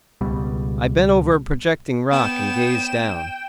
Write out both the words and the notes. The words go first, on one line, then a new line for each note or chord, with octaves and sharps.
I bent over a projecting rock and gazed down.
C#2 B2 G3
B3 G5 E7